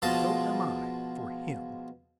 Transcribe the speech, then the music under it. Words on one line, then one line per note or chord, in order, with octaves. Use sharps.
So am I--for him.
B2 F3 G#3 D#5 A5